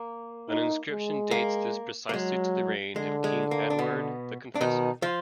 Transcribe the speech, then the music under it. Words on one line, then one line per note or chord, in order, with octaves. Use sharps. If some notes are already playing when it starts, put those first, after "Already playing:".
An inscription dates this precisely to the reign of King Edward the Confessor.
Already playing: A#3
D#4
G#3
A#3
A#3
F#3 G#3
D3 G#3
G#3
A#3
D4
B2 B3
D4
B2 D#3 D#4
F3 F4